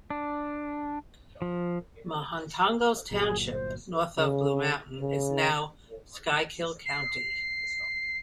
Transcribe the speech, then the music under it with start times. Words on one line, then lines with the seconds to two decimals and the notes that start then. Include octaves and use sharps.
Mahantongo Township, north of Blue Mountain, is now Schuylkill County.
0.10 D4
1.42 F3
3.11 G1 A#2 F#3 G#4
3.51 C5
4.18 C#3
5.01 C#3
6.85 C7